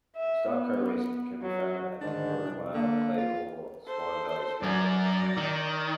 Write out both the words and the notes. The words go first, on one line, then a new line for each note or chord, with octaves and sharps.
Stock car racing can be found at the quarter-mile clay oval Swan Valley Speedway.
E5
B3
F#3
D2 G#2 D#3 D4
C2
D3 A#3
F4
A4 C5
F#2 F#3 D5 A#5
D#3